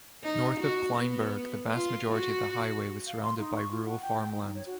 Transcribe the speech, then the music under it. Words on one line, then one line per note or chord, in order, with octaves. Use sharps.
North of Kleinburg, the vast majority of the highway was surrounded by rural farmland.
D#4
F#4
B3
F4
F#4
F5
C6
D#4
C#6
F4
F#5
G5
G5
D#4
C#5
F#4